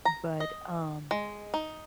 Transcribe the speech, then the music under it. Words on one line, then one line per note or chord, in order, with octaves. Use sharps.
But, um,
A#5
D#5
G#3
D#4